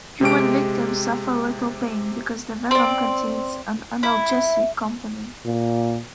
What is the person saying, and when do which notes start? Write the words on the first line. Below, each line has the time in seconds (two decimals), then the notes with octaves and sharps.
Human victims suffer little pain, because the venom contains an analgesic component.
0.21 C3 G#3 G4 D7
2.71 C4 D5
4.03 E4
5.46 A#2